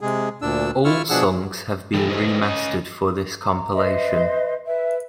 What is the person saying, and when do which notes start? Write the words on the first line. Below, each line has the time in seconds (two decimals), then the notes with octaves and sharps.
All songs have been remastered for this compilation.
0.01 C3 G#3 G#4
0.42 D2 A#2 D4 E6
0.85 E4 F4 C#6 E6 F6
1.10 B2 F3 D4 G#4 F#5 E6
1.94 E3 G4 A4
2.08 D#4 E4 A4 B4 C5
2.42 C#4 D#5
3.42 A#5
3.74 B4 C5 D#5 E5
4.65 B4 E5